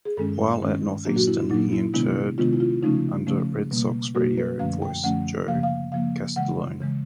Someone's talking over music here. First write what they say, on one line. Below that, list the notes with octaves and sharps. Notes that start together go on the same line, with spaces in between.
While at Northeastern, he interned under Red Sox radio voice Joe Castiglione.
G#4
G2 D#3 G#3 C#4 A4
G2 D#3 G#3 C#4
A#2 F#3 A#3 D4 G4
F#4
E4
D4
A#2 F#3 A#3 D4 D#4
E4
C3 D#3 G#3 B3 D4 E4
C3 D#3 G#3 B3 D4 F4
E4
F4
C#3 F3 A3 C#4 D#4
C#3 F3 A3 C#4
B2 G3 A#3
B2 G3 A#3 F#4
B4
F#2 D3 F3 A3 C#4 F5
G5
F#2 D3 F3 A3 C#4 F#5
C#3 F3 A#3 F5
F5
C#3 F3 A#3 F5
C#3 E3 G#3 F#5
C#3 E3 G#3